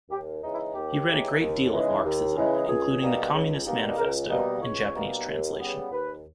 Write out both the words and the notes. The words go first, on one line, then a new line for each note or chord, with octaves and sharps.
He read a great deal of Marxism, including the "Communist Manifesto", in Japanese translation.
D#2 G4
C#3 E3 G#3 D#4
E4
D#2 G4
C#3 E3 G#3 D#4
D#2
C#3 E3 G#3 D#4
D#2
C#3 E3 G#3 D#4
C#2 G#4
B2 G3 A#3 D#4
C#2
B2 G3 A#3 D#4
C#2 A#4
B2 G3 A#3 D#4
C#2 C#5
B2 G3 A#3 D#4
D#2
C#3 G3 B3
D#2 B4